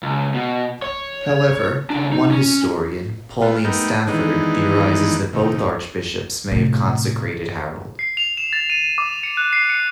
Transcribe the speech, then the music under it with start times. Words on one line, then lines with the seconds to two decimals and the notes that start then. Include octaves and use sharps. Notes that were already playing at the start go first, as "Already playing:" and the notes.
However, one historian, Pauline Stafford, theorises that both archbishops may have consecrated Harold.
0.03 C#2
0.34 B2
0.82 C#5
1.90 C#3 D4
2.12 D#4
2.31 C#4
3.41 A3 B3 F4
3.64 A3 B3 D#4 G4 A#4
4.08 D#3 E3 G#3 B3 D4 D#4
5.33 F2 A2 C3 D#3
6.52 A2 C3
7.99 C7
8.17 F7
8.37 E7
8.53 A6
8.70 D#7
8.98 D6
9.23 C#7
9.37 F#6
9.53 C7
9.70 C#7